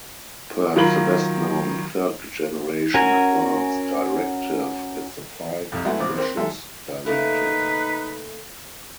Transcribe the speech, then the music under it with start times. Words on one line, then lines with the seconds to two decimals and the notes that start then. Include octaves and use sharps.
Perhaps the best known third-generation advance directive is the Five Wishes directive.
0.76 D#3 F#3 F4 A#4 B5 F#7
2.94 C#4 F#4 A#4 G#5
5.72 C2 F2
5.85 F#3 G#3 A3 B3 E4 F#4
6.00 A#1 F3 C4 D6
6.18 C4 A#4 C5 G5
6.37 F#3 G#3 A4 E5
7.06 C#3 A3 A#3 D#4 B4